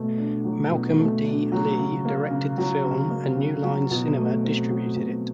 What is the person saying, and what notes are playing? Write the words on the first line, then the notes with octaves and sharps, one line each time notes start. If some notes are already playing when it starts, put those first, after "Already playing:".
Malcolm D. Lee directed the film and New Line Cinema distributed it.
Already playing: B2 A3
D4
F#3
B2
A3
D4
F#3
C#3
A#3
C#3
F#3
C#3
A#3
C#3
F#3
B2
A3
C4
F#3
B2